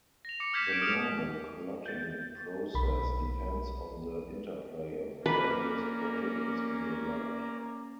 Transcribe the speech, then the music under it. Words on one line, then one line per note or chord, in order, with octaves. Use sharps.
The normal clotting process depends on the interplay of various proteins in the blood.
A#6 F7
D6 C#7
D6 F6 G6 G#6 B6 E7
B6 D7
D#6 F6 F7
G6 A6
B1 B5
A#3 C#4 B4 D5 A#5